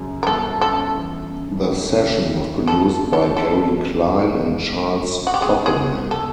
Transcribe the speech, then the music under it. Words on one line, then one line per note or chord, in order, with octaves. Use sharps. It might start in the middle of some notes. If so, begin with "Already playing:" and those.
The session was produced by Gary Klein and Charles Koppelman.
Already playing: F#2 C#3
A#4
G1 A4
C#4 A4
E3
C#4
G#2
C#3
D2
D2 A4
E1
A4
E3 A4
G#3
G#3
G#3
D2
D2
F#4
G4
E1 G#4
G#4
E1
B2 A4